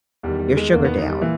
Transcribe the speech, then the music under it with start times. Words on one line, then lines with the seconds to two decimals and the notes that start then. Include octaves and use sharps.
your sugar down.
0.23 E2 D#3 G3
0.39 G3
0.57 G#3
0.73 E2 D#3 A#3
0.85 B3
0.98 D#4
1.09 G3
1.21 A#2 E3